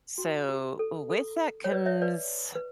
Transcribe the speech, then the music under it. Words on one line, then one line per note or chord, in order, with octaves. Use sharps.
So, w with that comes
F#4
G4
A4
A4
C#5
B4 D5
C#5 E5
B4 D5
B4